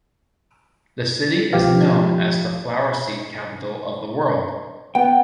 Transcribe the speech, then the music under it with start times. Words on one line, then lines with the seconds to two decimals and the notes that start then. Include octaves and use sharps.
The city is known as the flower seed capital of the world.
1.53 C#2 F3 G4 F5
4.95 B3 G5